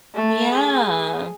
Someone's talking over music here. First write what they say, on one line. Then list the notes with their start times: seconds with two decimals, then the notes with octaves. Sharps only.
N yeah.
0.15 A3
0.52 G#4